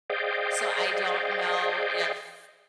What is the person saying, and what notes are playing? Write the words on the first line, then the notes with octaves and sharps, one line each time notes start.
So, I don't know if
G#4 C5 D5 D#5 F5 G5